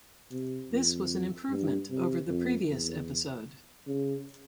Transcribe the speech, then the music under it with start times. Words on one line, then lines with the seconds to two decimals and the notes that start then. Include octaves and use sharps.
This was an improvement over the previous episode.
0.31 C3
0.71 F2
1.50 G2
1.90 C3
2.29 F2
2.68 E2
3.87 C#3